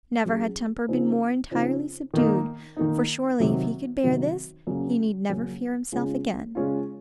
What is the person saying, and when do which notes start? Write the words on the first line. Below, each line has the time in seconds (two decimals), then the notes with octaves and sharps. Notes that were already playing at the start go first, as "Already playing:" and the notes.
Never had temper been more entirely subdued; for surely if he could bear this, he need never fear himself again.
0.25 F#3 C#4 G#4
0.88 C#3 F3 C4 D#4
1.51 C#3 F3 C4 D#4
2.14 D#3 A#3 D#4
2.77 D#3 A#3 D#4
3.40 C3 D#3 F#3
4.04 C3 D#3 F#3
4.67 C#3 F#3 A#3 C#4
5.29 C#3 F#3 A#3 C#4
5.92 C#3 G#3 C#4 F4
6.55 C#3 G#3 C#4 F4